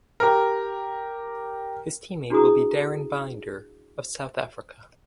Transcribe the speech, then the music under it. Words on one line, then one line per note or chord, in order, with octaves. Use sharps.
His teammate will be Darryn Binder of South Africa.
G4 A#4
D4 E4 F#4 G#4 A#5 D#6